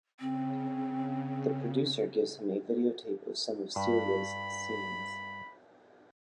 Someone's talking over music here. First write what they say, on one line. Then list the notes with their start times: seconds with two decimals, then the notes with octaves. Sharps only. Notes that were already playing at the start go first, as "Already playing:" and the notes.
The producer gives him a videotape of some of Celia's scenes.
0.20 C#3 C4
3.76 G2 B5